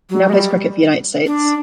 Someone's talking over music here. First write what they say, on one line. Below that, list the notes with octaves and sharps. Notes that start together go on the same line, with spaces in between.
He now plays cricket for United States.
F#3
G#3
G3
D4